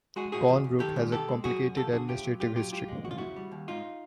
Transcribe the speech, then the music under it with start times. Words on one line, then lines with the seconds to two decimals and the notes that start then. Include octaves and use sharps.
Colnbrook has a complicated administrative history.
0.16 G#3 F#4 G#4
0.32 A2 F#4 G#4
0.48 E2
0.64 E2
0.80 D#3 G4 A4
0.96 G#2
1.12 B2 G4 A4
1.28 G#3
1.44 F#2 F#4 G#4
1.60 F#2
1.76 F3 G4 A4
1.92 D3 F#4 G#4
2.08 A2 F4 G4
2.24 F#3
2.40 A#2 F4 G4
2.56 F#3 F4 G4
2.72 G#2 F4 G4
2.88 G#3
3.04 E2 F#4
3.11 F4
3.18 C#3 E4 F#4
3.36 G3
3.52 D#2
3.68 G#2 D#4 F4